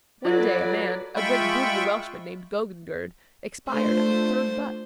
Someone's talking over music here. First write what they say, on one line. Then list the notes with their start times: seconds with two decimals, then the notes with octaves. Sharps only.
One day a man, a great brute of a Welshman named Gogangerdd, expired at the third butt.
0.25 F#3 F4 A4 B4 D5
1.16 G#3 F4 E5 G5 B5 C#6
3.68 A3 D4 F4 C5